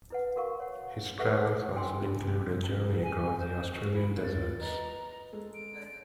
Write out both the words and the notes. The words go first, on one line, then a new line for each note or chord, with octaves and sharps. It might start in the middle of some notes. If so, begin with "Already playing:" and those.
His travels also include a journey across the Australian deserts.
E4 B4 F#5
F#4 A#4 F5 C#6
C#5 F#5
G4 A4 B4 E5 F#5
D4 F#4 G5 G#5 C6 E6
C#4
G#5
G#5
C5
F#4
E4
F4 A6
B4 D#5 A#5
G#3 G#4 A4
D7